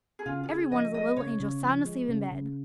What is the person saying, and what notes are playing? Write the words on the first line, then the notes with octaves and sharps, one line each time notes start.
Every one of the little angels sound asleep in bed.
G#4
C#3 F4
F4
C#3 G#4
F3 D#5
G#3 D#5
C#3 C#5
C#3
F3
G#3
C#3
C#3